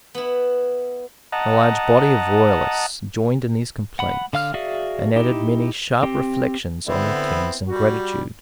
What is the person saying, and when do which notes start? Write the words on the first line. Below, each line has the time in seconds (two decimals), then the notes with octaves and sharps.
A large body of Royalists joined in these complaints, and added many sharp reflections on the King's ingratitude.
0.15 B3 E4
1.32 D#5 F#5 A5 A#5
3.99 F#5 B5
4.33 D3 F5 F6
4.54 F#4 G#4 D5 E5 F5
5.16 D#4 E4 G4
6.03 C4 G4
6.87 D3 B3 C4 E4
7.68 G3 F#4